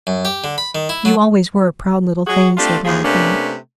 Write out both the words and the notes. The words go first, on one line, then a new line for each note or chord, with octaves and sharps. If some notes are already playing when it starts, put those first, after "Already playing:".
"You always were a proud little thing," he said laughing.
F#2
G4
D3
B5
D#3
E4
F#3
F#3 F#4 G#4
A3 C4 D4 F4 G4
D#2 F3 G#4
C3 A3 A#3 C#4 D4 B4